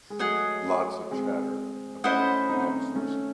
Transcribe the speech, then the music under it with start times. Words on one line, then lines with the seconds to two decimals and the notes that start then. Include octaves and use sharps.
Lots of chatter about outsourcing.
0.10 G#3
0.19 F#3 A3 G#4 D#5 F#5
1.11 G#3 C4
2.04 A3 C#4 E4 C5 D#5 F#5
2.49 C4 D#4
2.96 A3 C#4